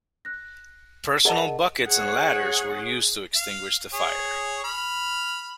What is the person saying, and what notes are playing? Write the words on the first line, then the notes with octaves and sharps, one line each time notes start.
Personal buckets and ladders were used to extinguish the fire.
F#6 A#6
G#4 A#4 D5 D#5 F#5 A5
G#4 C#5 F#5
F5
G#4 C#5
B5 F6